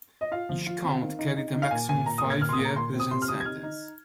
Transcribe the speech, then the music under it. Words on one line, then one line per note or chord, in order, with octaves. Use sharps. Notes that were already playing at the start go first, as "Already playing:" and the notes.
Each count carried a maximum five-year prison sentence.
D#5
F4 F5
F3
F4
C4
D#3
D#4
D#4
D#4
F5
A#2 G#5
A#2 G#5
A#2 A#5
D#6
A#2
G#6
A#2 F6
C6
D#6
A#2
A#5
A#2 C6
C4
D#6
C3 C6
F6
C3 D#6
G#6
D#4 F6
D#4